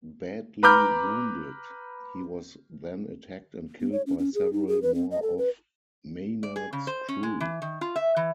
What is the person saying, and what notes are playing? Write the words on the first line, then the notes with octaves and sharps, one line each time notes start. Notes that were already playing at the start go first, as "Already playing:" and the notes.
Badly wounded, he was then attacked and killed by several more of Maynard's crew.
B4 A#5 B5 D6 F6 G6
B3
C#5
C#4
C#4
G#4
D#4
G#4
B4
C4
D#5
A4
B4
D5
G#4
C#3
C5
C#4
G#3
E3
D#3
F4
E5
E3